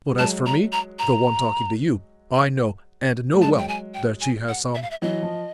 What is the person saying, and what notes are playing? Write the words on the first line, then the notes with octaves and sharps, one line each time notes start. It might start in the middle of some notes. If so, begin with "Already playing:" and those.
But as for me--the one talking to you--I know, and know well, that she has some.
G3
F#3 G#3 A5
A#5
A#5
A#5
A3
F#3 G#3 A5
G5
G#5
G5
G#5
F#5
E5
F5
E5
E3 F#3 D#5
F3